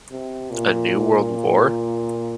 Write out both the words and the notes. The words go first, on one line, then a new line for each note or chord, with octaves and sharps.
A New World War?
C3
A#2